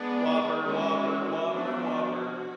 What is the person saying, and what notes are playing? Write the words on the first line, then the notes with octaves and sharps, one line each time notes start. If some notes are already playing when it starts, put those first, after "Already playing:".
Whopper, Whopper, Whopper, Whopper.
Already playing: G#3 B3 D4 G#4
D3 G#3 C#4 F#4
F3 B3 D4 F#4